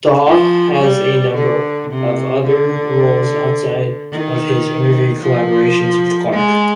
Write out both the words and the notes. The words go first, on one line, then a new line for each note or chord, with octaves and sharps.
Dawe has a number of other roles outside of his interview collaborations with Clarke.
F3
G3
D3
C3
D3
D#3
F3
G#3